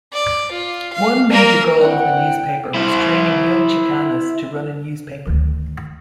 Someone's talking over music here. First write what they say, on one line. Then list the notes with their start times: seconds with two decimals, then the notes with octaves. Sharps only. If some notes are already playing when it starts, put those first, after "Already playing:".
One major goal of the newspaper was training young Chicanas to run a newspaper.
0.13 D5
0.52 F4
0.93 F5
1.30 A#3 A#4
1.80 G#1 C4 D4 E4 F#5 G5
2.74 E4 C5
5.27 D2 D#3